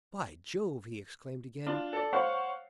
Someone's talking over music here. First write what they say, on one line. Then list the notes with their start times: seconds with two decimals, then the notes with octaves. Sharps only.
"By Jove!" he exclaimed again.
1.66 D4 F4
1.93 A4 D5
2.13 C5 C#5 F5 F#5